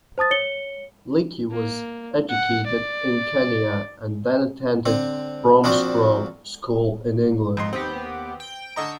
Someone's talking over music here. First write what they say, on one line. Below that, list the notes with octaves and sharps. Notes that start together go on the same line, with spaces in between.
Leakey was educated in Kenya, and then attended Bromsgrove School in England.
C5 A5 D#6 A6
C#5 C#7 G7
A#3
F#5
D5
D3 C4
A#2 F3 C4 D4 F#4
F2 D#4 C6
D#2 B3 C4 G4
G5
D3 D#5 A#5 C#6 E6 G6